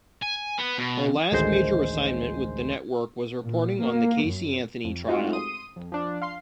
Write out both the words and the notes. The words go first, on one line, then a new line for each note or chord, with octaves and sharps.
Her last major assignment with the network was reporting on the Casey Anthony trial.
G#5
B3
B2
A1 D2 D#3 G#3 C5
A#2
A#3
F#2
F2
G#3 A3 C4 D#4 F4 F#4
C6 D#6 D#7
F2
F3 D4
F5 C6 C7